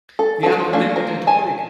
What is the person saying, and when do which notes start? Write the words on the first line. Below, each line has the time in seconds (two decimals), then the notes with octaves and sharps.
Wir haben Probleme mit der Hydraulik.
0.19 A4
0.43 F#4 A4
0.59 F3
0.73 A3 A#3 D4
0.96 A#4 C5
1.27 G#5 A5